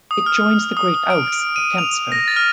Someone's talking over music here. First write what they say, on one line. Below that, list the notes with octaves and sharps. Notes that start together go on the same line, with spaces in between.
It joins the Great Ouse at Tempsford.
D#6
F6
D#6
D7
D7
D#7
F7
A#6
A6
F6